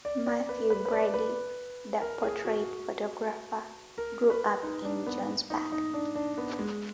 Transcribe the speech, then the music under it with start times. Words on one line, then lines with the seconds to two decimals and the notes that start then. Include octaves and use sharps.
Mathew Brady, the portrait photographer, grew up in Johnsburg.
0.05 D5
0.26 D5
0.49 B4
0.70 B4
0.85 B4
0.92 D5
1.14 B4
2.01 A#4
2.23 G#4
2.45 F#4
3.98 A#4
4.30 B4
4.63 D#4
4.85 D4
5.06 B3
5.50 D#4
5.72 D#4
5.94 D4
6.15 D4
6.38 B3
6.59 G#3